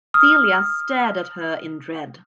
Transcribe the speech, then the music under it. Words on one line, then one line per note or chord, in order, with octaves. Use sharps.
Celia stared at her in dread.
D#6 F6